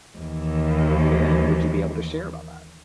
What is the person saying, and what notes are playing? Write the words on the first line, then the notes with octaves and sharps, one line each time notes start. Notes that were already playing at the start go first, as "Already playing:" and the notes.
And would you be able to share about that?
D#2 E3